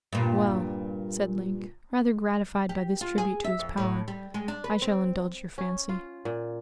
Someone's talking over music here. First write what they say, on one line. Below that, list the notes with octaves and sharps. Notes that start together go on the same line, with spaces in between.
"Well," said Link, rather gratified by this tribute to his power, "I shall indulge your fancy."
G2 A#2
G4
F4
G#4
E5
F2
A2
G3
G#3
D4
B4
C4
C#4
F4
A#2